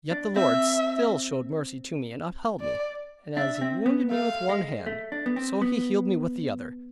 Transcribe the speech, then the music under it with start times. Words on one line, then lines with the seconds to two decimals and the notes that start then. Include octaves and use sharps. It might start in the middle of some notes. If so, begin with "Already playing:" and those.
Yet the Lord still showed mercy to me, and upheld me; and as He wounded me with one hand, so he healed me with the other.
0.11 D4
0.36 C4 E5
2.61 D5
3.36 D4 E5
3.61 C4
3.86 B3
4.11 A3 F5
4.49 G#3
4.86 A3
5.12 D4
5.26 B3
5.36 C4
5.62 B3